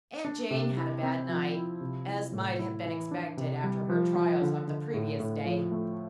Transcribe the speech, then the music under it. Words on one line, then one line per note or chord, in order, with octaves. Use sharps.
Aunt Jane had a bad night, as might have been expected after her trials of the previous day.
D4
C3
E4
C4
F3
E4
C3
E4
A2
E4
E3
D4
C3
G3
F3
F3
D3
D3
A2
A2
F3
A3